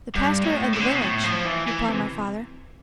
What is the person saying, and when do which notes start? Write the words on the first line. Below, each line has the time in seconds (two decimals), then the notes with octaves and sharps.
"The Pastor of the village," replied my father.
0.15 G2
0.44 A2
0.73 C3
0.80 D3
0.88 C3
0.95 B2
1.02 A2
1.24 F3
1.45 E3
1.67 E3
1.89 C3